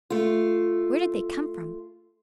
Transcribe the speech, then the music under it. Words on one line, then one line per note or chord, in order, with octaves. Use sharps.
Where did they come from?
A3 F4